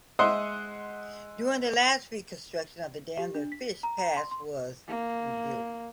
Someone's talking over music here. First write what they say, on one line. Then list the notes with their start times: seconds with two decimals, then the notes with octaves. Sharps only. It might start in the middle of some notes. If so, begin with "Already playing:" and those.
During the last reconstruction of the dam the fish pass was rebuilt.
0.19 G#3 C5 E5 F#5 C6 D#6
3.19 G4
3.35 D4
3.52 B6
3.83 A#5
3.98 A#5
4.17 C6
4.31 C6
4.88 A#3